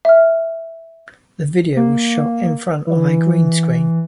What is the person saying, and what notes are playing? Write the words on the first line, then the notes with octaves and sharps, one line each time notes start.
The video was shot in front of a green screen.
E5 F6
A#3
E3